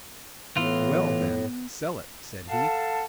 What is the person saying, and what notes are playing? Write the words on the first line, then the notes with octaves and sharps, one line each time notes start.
"Well then, sell it," said he.
A2 E3 B3 F4
A4 F5 F#5 A5